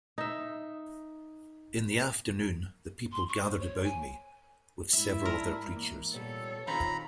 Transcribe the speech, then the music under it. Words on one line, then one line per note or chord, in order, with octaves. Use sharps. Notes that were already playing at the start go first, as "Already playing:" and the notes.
In the afternoon the people gathered about me, with several of their preachers.
D#4 E5
C6
C#6
C5
C#5
G#5
G#2 E4 E5
A#4 D5 A5 C6
E2 A#3
A#2 G3 B3 A4 C#5
A#2 D#3 C4 F4 F5 A#5 B5